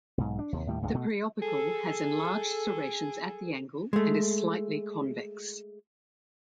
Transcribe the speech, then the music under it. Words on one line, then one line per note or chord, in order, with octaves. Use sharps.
The preopercle has enlarged serrations at the angle and is slightly convex.
B1 G#2
D4
D#2 C3
D#2 A2 G3
C#2 G2 G#3
B2 A3
G#4 A4
G#3 A3